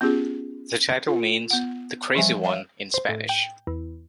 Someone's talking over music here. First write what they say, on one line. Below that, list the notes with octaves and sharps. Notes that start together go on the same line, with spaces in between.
The title means "The Crazy One" in Spanish.
B3 C#4 F4 G4 G#4
F4
B3 F#5
E3 F3 G3 E5 G#5
C#5 E5 F5
C5
A2
G5
E2